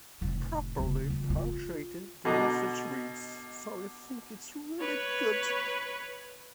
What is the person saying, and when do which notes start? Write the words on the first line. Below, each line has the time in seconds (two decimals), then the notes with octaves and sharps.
Properly punctuated, the message reads: So you think it's really good?
0.21 F1 A2
0.77 F1 C#3
1.09 C#3 F4
1.30 F4
2.25 B2 D3 D#5 A#5 D6
4.80 B4 C#5